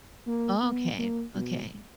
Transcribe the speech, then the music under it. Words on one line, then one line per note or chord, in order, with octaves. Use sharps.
Oh, okay. Okay.
A#3
B3
A#3
B2